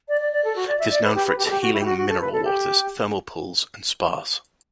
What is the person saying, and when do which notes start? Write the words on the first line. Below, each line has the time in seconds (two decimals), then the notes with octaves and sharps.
It is known for its healing mineral waters, thermal pools and spas.
0.08 D5
0.21 D5
0.32 D5
0.44 A4
0.56 F#4
0.67 D5
0.79 E5
0.91 D5
1.03 B4
1.15 G4
1.27 B4
1.38 G4
1.46 A4
1.50 G4
1.62 F#4
1.74 E4
1.80 G4
1.85 F#4
1.97 F#4
2.09 A4
2.21 B4
2.33 A4
2.45 G4